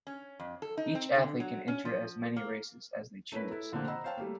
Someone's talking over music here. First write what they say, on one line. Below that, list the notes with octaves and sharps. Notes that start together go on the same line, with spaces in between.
Each athlete can enter as many races as they choose.
C#4
F2
A4
D#4
C4
D3
F#3
C#4
F3
A#3
A3 C#4 E4 A#4 B4
E4 A4
A#2 D3 F3 A3 A#3 C4
C5 D#5 F#5 A#5 B5 E6
C5 C#5 F5 G5 A5
G3 A3 A#3